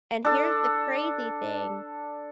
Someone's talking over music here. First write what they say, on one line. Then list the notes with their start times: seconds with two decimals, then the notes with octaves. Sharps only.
and here's the crazy thing,
0.25 D4 A4